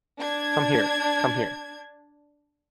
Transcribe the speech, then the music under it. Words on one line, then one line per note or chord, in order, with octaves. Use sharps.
Come here, come here.
D4 G#6